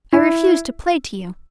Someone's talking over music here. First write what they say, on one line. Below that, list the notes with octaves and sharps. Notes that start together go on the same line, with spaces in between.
I refuse to play to you!
E4